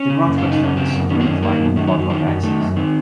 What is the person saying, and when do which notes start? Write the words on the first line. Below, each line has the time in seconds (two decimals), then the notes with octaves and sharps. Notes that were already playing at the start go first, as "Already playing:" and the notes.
The graph looks like a straight line on log-log axes.
Already playing: C#4
0.10 C#3
0.26 F#2
0.38 F4
0.43 C#3
0.51 D#4
0.59 F#2 C#4
0.76 C#3 C4
0.93 F#2
1.09 D#3 C#4
1.20 C4
1.27 F#2 C#4
1.43 D#3 A#3
1.59 F#2
1.76 D#3 A3
1.87 F#3
1.93 F#2
1.99 F#3
2.09 D#3 F3
2.26 F#2 F#3
2.43 D#3 A3
2.60 F#2
2.76 D#3 C4